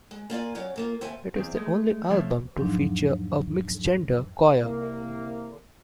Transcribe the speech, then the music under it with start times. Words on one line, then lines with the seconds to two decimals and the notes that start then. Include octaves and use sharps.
It is the only album to feature a mixed-gender choir.
0.11 G#3
0.30 A#3 F4 D5 G#5
0.55 F#3 C#4 C#5 D5 F5
0.76 A#2 A#3 F4
1.01 D#2 C4 A4 E5 G#5
1.36 E2 C4
1.56 G#3 A3
2.10 F3 A3 C4 F4 C#5 E5
2.57 E2 G#2 F3 F#3 D4 D#4
4.62 C2 A#3